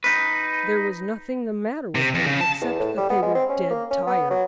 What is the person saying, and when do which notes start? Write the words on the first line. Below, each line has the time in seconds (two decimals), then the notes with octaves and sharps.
There was nothing the matter with them except that they were dead tired.
0.04 D#4 B4
1.95 C3
2.15 F2
2.27 C#3
2.41 A5
2.61 E2
2.79 A2
2.97 G3
3.10 B3
3.22 G#3
3.35 C4
3.49 C#4
3.70 A#3
3.91 C#4
4.07 B3
4.30 F#3